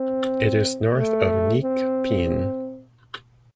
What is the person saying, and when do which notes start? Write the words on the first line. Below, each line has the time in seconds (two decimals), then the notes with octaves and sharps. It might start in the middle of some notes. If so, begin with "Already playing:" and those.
It is north of Neak Pean.
Already playing: C4
0.95 A3
1.63 C4